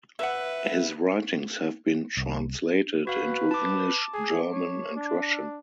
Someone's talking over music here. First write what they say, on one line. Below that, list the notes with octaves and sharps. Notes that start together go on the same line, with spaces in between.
His writings have been translated into English, German, and Russian.
B4 E5 F#5
C2
F#4 B4 F5
A5 D6
G#4
C#5
D4